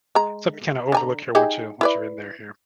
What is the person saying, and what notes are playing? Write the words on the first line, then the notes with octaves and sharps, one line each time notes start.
something you kinda overlook here once you once you're in there here.
G#3 A#5
D3 G#5 A#5
D#4 G4 G#4
E4 B4 D5